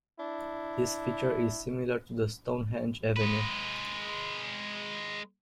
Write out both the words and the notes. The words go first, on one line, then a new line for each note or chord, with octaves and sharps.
This feature is similar to the Stonehenge Avenue.
D4 E4
G#3 B4